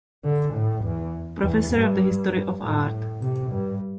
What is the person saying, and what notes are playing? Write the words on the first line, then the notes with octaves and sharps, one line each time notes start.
Professor of the History of Art.
D3
A2
E2
E2
G2
A2
C3
G2